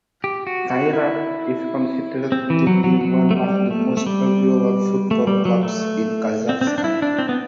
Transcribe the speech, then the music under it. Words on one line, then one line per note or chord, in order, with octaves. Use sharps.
Kairat is considered to be one of the most popular football clubs in Kazakhstan.
G4
F#4
F#4
E4
C4
E3
F#3
F#3
F#3
A3
G3
A3
A3
G3
A3
G3
F#3
A3
C4
C4
D4
D4
E4
D4
C4
B3